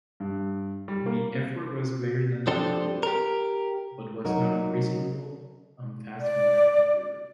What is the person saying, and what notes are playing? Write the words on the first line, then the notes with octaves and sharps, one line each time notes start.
The effort was greater than above, but was not unreasonable on fast modern computers.
G2
G3
A#3
F3 C4 D4 G4 A4 C5
G4 A#4
F#3 D#4 F#4 A#4
D5